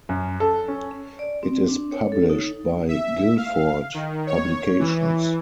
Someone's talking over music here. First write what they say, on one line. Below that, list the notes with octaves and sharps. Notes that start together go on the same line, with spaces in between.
It is published by Guilford Publications.
F#2
A4
C#4
D5
C4
D4
C#5
A4
D#4
E5
F5
D#3
C#5
E3